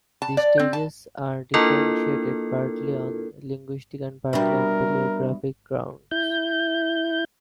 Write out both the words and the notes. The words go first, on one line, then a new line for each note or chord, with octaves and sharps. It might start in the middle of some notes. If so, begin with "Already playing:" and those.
These stages are differentiated partly on linguistic and partly on paleographic grounds.
A5
D5
C4
A5
A#3 D4 E4 F4 A4 A#4
B2 G3 D4 A#4 E5
E4 G6